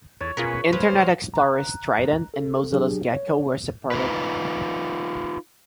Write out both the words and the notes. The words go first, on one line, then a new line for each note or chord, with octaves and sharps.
Internet Explorer's Trident and Mozilla's Gecko were supported.
E2 G#4 A4 C#5
B2 C#4 F4 G#4 A#4 B4
G#3 B4 C5 F5
A#5 F#6
A4
F#3 D4 G4 G#4
C#5
D#4 F4 B4